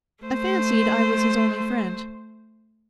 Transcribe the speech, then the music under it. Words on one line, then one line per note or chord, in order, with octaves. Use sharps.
I fancied I was his only friend.
A3 C5